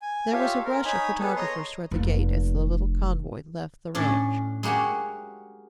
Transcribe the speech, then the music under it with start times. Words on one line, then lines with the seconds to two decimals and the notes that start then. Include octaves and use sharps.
There was a rush of photographers towards the gate as the little convoy left the ranch.
0.02 G#5
0.32 F4 G4 A4 C#5 E5 F5
0.65 C4 A#4
0.85 D#4 C#5 G#5 B5 D#6
1.19 B3 G#4 A4 B4
1.36 C#5 D#5 A#5 C6
1.91 F1 A#3
3.95 A2 C#4 D4
4.63 G#3 A#3 F#4 G4 C#5